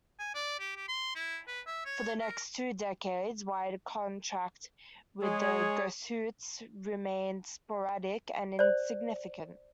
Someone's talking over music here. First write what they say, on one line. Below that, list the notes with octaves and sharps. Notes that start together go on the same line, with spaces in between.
For the next two decades white contact with the Goshutes remained sporadic and insignificant.
G#5
D5
G4
G4
C6
E4
B4
E5
C#5
A#4
G#3 G#4 C#5
C5 D5